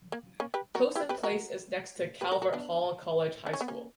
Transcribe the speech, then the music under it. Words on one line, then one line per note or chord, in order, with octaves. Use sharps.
Towson Place is next to Calvert Hall College High School.
A#3
A#3 C#4
G4 B4
F#4 A#4
E4 G4
G4 B4
F#4 A#4
G4 B4
F#4 A#4
F#4 A#4
B3 D4
D4
C#4
B3
A#3 C#4